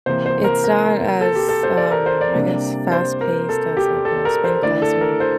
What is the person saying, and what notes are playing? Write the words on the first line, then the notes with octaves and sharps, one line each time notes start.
it's not as, um, I guess, fast paced as, like, a spin class or
C3 E3 A#3 C5
C5
A#4
A#4
A4
G4
A4
C5
D5
A#4
C5
D5
C3 G3 A#3 D4
C5
A#4
A4
G4
A4
A#4
C5
D3 A3 E4 D5
A4
A#4
C5